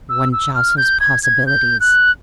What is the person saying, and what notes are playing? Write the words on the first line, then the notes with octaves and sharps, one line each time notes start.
One jostles possibilities.
E6
E6
F6
G6
G#6
G#6
G6
F#6